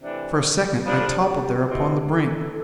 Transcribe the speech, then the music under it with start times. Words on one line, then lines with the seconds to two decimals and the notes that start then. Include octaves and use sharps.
For a second I toppled there upon the brink.
0.01 C3 E3 A3 D4
0.84 F3 B3 D4 G4
0.99 A4
1.06 G4
1.68 B2 A3 C4 E4
2.09 A4